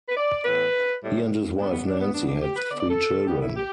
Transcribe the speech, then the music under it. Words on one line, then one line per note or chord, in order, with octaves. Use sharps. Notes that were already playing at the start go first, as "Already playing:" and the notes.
He and his wife Nancy had three children.
B4
D5
A2 E3 B3 B4
A2 G3 B3
A2 G3 B3 D4
B3
D4
B3
D3 G3 B3 D4
D4
G4
B4
D3 B3 D5
D5
A4
D3 G3 B3 G4
E4
G4